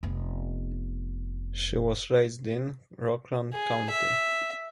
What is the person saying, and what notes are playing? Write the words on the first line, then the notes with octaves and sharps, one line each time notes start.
She was raised in Rockland County.
F1 B3
G#4
E5